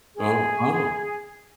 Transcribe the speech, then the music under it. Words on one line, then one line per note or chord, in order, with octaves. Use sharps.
Oh. Oh.
G#4